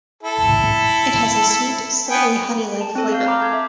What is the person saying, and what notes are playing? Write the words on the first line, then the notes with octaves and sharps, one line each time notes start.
It has a sweet, slightly honey-like flavour.
E4 A4
B3 G5 G#5
A5
C4 A4
F5 G6
A#5 B5 D6 F6
A5 G6 G#6
E5